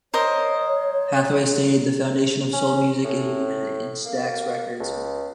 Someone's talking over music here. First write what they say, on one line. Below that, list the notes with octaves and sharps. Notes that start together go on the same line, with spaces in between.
Hathaway stated, The foundation of soul music is rooted in Stax Records.
A#4 C5 C#5 D#5
C#4
A2
A#3
C#2